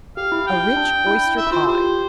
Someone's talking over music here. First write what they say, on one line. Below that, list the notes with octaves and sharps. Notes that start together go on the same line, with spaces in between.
A Rich Oyster Pie.
G4 F5
E4
G5
D4
E4
E4 E5
E4
F4 C5
G4 C5
G4